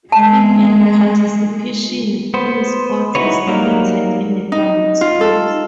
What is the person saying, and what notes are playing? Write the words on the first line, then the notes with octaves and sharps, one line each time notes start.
Female participation in sports is limited in the public schools.
G#3 A5
B3 C5
D#4 E4 F#4 B4 C#5
F#3 G3 A#3 D#4 A#4
D#4
F4
A4